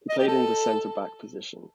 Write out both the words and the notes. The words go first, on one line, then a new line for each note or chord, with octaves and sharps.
He played in the centre back position.
D#5
G4
A4